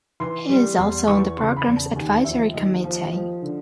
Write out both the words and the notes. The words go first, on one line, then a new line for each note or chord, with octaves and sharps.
He is also on the program's Advisory Committee.
E3 C6
G3
E2 C6
E3 C#6
C#3 C6
B5
E2
A5
D#2 G#5
F3 E5
D#2 D#5
F3
F3
D3